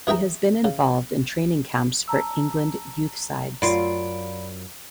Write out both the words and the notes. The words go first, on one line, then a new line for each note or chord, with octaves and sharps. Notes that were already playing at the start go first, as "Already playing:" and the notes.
He has been involved in training camps for England youth sides.
E3 G#4 E5 G5 A#5
C#3
A5 A#5 E6
F#2 F4 D5 B5 D7